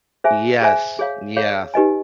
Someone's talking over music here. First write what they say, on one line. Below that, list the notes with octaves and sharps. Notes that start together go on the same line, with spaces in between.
Yes. Yeah.
G#4 C5 E5 G#5
G#4 C5 E5 G#5
G#4 C#5 F5
G#4 C#5 F5
D#4 G4 B4 D#5 G#5